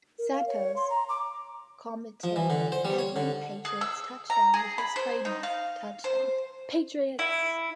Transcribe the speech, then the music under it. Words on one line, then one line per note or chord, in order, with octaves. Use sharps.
Santos commentated every Patriots touchdown with his trademark Touchdown, Patriots!
A#4
F5
C#5
C6
A#5
D6
F3
E3
D3
C5
G3
C#5
D3
G#4
E6
A#5
G#4
B5
C5
D#4
F5
C5
E4